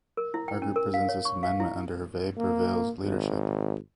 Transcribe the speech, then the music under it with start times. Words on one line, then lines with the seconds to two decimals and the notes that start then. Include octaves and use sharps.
Our group presents this amendment under Hervé Berville's leadership.
0.17 A#4
0.34 E4
0.48 G5
0.62 C#4
0.76 A#4
0.94 F5
1.09 C#5
1.25 C#6
1.43 F5
1.60 E4
2.37 A#3
3.02 G#1